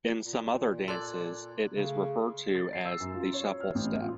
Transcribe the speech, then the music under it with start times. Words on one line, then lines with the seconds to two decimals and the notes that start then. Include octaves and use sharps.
In some other dances it is referred to as the shuffle step.
0.25 A#2
0.88 A4 D5 C6 F#6 G#6
1.75 C#3 A3
2.55 A6
2.73 C7
2.85 E6
3.00 F#2
3.14 F4
3.33 C#5
3.60 F6
3.75 A1
4.02 F4